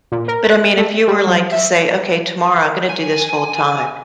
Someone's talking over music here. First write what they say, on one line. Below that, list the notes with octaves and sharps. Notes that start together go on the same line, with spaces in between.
but I mean if you were like to say, "Okay, tomorrow I'm gonna do this full time
A#2
A#4
F#6
A3
G3
F#3
E5
G#5